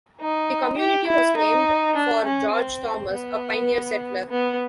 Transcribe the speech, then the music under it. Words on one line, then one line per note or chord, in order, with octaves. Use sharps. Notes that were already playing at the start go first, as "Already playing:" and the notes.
The community was named for George Thomas, a pioneer settler.
D#4
G4
E4
D#4
D4
C#4
C4
B3
B3